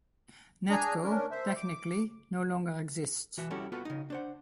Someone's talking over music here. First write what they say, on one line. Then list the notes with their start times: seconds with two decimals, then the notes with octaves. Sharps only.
Netco, technically, no longer exists.
0.70 D4 G#4 G#5 A#5
1.04 C#4 D4 A#4
1.31 C5 E5
1.56 D6
3.37 E3 F#4 E5
3.51 G3 C#4 E4 F#4 G4 A4
3.72 B3 F4 F#4 A4 B4
3.85 C#3 D#4
4.10 D4 C5 F#5